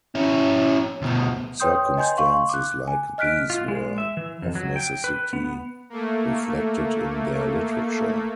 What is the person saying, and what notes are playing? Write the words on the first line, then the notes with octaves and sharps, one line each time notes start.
Circumstances like these were, of necessity, reflected in their literature.
C#4 E4
D2 B2
B4 C#5 G5 C6 D#6 G6
D#5 G#5 C6 G6
F5 C6 C#6
D6 F#6
G#5
D#5 F6 F#6 B6 D7
F4
G#3
E5
E3
F2
F#3
G5
B4
B3
A3 A#3